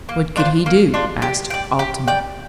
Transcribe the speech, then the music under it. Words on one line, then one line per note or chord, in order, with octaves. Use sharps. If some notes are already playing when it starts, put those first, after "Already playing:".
"What could he do?" asked Altamont.
A#3
D4 F4 C5
A#3
D4 F4 C5
G4
D5 G5
G4
D5 G5